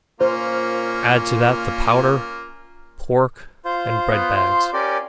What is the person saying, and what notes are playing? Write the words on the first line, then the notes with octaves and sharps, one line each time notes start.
Add to that the powder, pork, and bread-bags.
A#2 A#3 C#4 F4 C5
F4 C5
B3
C6
C#4 G4 A#4 D5